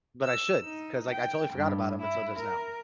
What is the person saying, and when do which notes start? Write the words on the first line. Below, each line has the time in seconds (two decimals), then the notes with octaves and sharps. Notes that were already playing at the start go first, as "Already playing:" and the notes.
but I should 'cause, like, I totally forgot about 'em until just now.
0.24 E6
0.63 D#4
1.08 G5
1.53 G2
2.01 E4
2.38 A#4